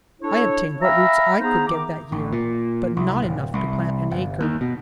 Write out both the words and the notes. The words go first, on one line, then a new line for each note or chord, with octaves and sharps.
I obtained what roots I could get that year, but not enough to plant an acre.
D4 E4 A4 C#5
E5 F5 G5 A#5 B5 E6
B3 D#4 G#4 C5 A#5
D#3 D6
A1
A#2
C2
D1
C2
G1
D#2
B2